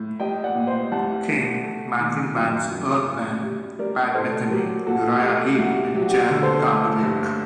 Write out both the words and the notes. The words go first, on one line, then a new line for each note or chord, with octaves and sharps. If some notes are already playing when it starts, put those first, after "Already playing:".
King, Manfred Mann's Earth Band, Pat Metheny, Uriah Heep and Jan Garbarek.
Already playing: A2
G3 D#5 G5
D5 F#5
A#2
C5 D#5
C2 F#5 A5
C2
A3
D#3
F#2 D#5 G5
F#2
A2
G3
G3 A#4 D5
A2 A4 C5
F#3 G4 A#4
A#2 F#4 A4
F#4
A3 G4
C2 F#4
F#3 G4
F#4
G4
D3
A4 C5
A3
G2